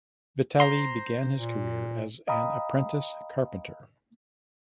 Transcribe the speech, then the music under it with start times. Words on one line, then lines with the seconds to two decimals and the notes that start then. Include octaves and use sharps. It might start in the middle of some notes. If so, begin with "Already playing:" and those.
Vitali began his career as an apprentice carpenter.
0.60 C5 A#5 C6
1.36 A#2
2.28 D#5 F5 G5 A#5 B5 D#6